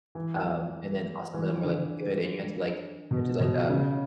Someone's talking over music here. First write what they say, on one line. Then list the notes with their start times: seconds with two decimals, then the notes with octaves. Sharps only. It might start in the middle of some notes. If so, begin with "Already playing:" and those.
um, and then, uh, some of them were, like, good and you had to like you had to like, um,
0.15 E3
1.34 E3
1.64 D3
1.78 D3
3.11 B2
3.40 B2
3.69 C#3